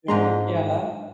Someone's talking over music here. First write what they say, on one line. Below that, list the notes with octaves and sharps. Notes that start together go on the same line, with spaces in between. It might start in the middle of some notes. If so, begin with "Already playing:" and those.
soon, yeah.
G#2 G#3 D4 A#5 C6